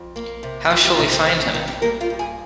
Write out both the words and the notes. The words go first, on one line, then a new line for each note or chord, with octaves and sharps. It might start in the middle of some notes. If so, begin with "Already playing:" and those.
How shall we find him?
Already playing: F2
A#3
C3
D#3 F3 F4
G3 G4
F4
C3 D#3 D#4
C4
C4 C#4
C#4
G2 D#3 D#4
G3 G4
G3 A#3 A#4
F4 F5
G2
G#4 G#5